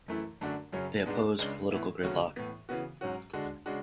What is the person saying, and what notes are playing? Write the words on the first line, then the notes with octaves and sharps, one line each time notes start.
They oppose political gridlock.
F#2 E3 A3 E4
F#2 D3 A3 D4 F#4
F#2 C#3 F#3 C#4
G#2 G#3 B3 D4
C#2 C#3 G#3 D4
A2 E3 B3 E4
D2 C#3 F#3 C#4 F#4
A2 E3 B3
C#3 E3 B3 F#4
G#2 F#3 C#4 F#4
D3 G#3 D4 F#4
C#3 G#3 D4 F#4